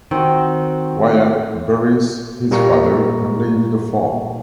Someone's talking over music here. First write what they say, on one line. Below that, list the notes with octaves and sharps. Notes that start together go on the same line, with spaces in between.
Wyatt buries his father and leaves the farm.
D#3 C4 F#4
A#2 G3 A#3 A#5 C#6